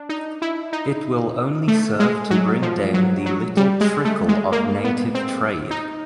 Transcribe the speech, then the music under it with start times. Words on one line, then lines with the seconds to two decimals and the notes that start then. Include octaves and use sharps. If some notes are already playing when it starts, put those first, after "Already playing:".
It will only serve to bring down the little trickle of native trade.
Already playing: D4
0.09 D#4
0.42 E4
0.73 D#4
1.68 A3
2.00 G#3
2.31 F#3
2.62 F3
2.94 F#3
3.26 F#3
3.57 G3
3.81 G#3
4.05 A3
4.28 G#3
4.52 A#3
4.84 B3
5.15 C4
5.71 D#4